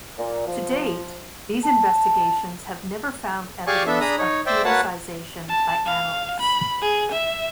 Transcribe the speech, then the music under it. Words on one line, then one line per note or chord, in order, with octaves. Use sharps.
To date, these investigations have never found evidence of politicization by analysts.
A#2
F3
A5
G4 G#4 D5 F5 G#5 C#6
B3 D4 A4 E5
D4 G#4 A#5 B5 D#6
D#4 C#5
C5 D5 E5 G5
A#3 F#4 B4 C#5 F#5 A5
A5
F5
B5
G#4
E5